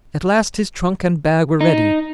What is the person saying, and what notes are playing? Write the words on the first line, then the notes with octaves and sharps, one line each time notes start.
At last his trunk and bag were ready.
D#4